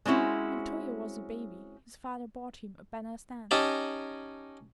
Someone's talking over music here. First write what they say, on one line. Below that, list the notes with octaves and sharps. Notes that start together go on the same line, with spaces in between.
When Toyo was a baby his father bought him a banner stand.
G#3 C4 C#4 E4 F#4
C#4 D#4 G4 A5 A#5